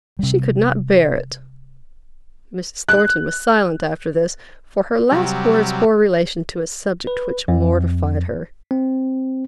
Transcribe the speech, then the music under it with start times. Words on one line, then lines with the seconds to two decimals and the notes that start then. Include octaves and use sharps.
She could not bear it.' Mrs. Thornton was silent after this; for her last words bore relation to a subject which mortified her.
0.19 C3 G3
2.89 F#6
5.12 C3 F#3 G3
7.07 B4
7.48 F2
8.71 C4